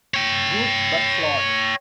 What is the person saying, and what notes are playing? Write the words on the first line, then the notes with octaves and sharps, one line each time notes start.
Good, but flawed.
C#5 G5